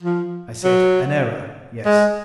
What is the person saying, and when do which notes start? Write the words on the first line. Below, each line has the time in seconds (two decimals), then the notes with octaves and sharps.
I said, "An error--yes."
0.03 F3
0.64 F#3
1.85 G#3